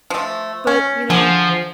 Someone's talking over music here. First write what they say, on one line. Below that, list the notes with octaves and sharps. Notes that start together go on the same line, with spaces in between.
But, you know,
F3 A3
C#4
D3 F3 G#4